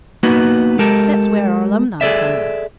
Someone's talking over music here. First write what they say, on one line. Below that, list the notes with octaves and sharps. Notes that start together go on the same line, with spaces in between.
That's where our alumni come in.
A#3 B3 D#4 F#4 B4
G#3 G4 A4 A#4
G#4 A4 D5 E5